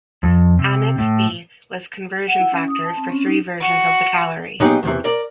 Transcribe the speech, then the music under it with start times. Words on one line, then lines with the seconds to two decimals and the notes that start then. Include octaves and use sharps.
Annex B lists conversion factors for three versions of the calorie.
0.23 F2
0.59 C3
0.98 A2
2.28 F#5
2.39 E4
2.52 C#4
2.68 D#6
2.84 A5
2.97 C4
3.10 C#4
3.25 D#4
3.60 F#4
4.60 A#2 F#3 B3 D#4 G4 G#4
4.83 E2 C3 E3
5.04 A#4 D5